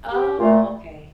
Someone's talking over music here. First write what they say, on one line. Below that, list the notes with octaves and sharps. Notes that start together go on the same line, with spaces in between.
Oh, okay.
G4
A#2 A3 F4